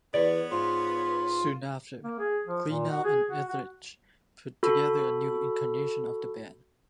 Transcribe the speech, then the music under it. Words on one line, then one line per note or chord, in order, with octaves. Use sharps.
Soon after, Kleinow and Ethridge put together a new incarnation of the band.
E2 B3 C#5 D5
G#2 F4
A#3
G#4
F3
A#2
F#4
G#4
F#4
F#4
F#4 A4 B5